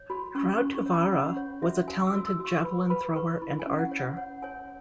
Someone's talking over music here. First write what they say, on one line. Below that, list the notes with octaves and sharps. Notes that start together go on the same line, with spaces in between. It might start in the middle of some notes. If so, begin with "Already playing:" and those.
Rautavaara was a talented javelin thrower and archer.
Already playing: C#5
F#4 B5
C#4 C#6
C#6
C#4
C#6
C#5
B5
C#4 F#5
C#5
F#4 E5
F#4 G#5
E6
F#4
E6
F#4
C#6
B4 B5
C#6
B4 B5
B4 C#6
E4 B5
G#5
C#4
F#5
C#5
F#5
C#5 F#5
C#5 G#5